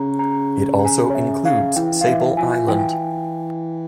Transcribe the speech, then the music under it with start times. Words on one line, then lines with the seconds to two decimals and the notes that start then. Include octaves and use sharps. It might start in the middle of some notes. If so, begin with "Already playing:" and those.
It also includes Sable Island.
Already playing: C#3 A#5
0.19 A#5
0.79 A#5
0.85 G#5
1.10 C#5
1.15 E5
1.45 F5
1.76 E3 G5
2.01 F5
2.07 E3 E5
2.37 F3 G#5
2.69 E3 G5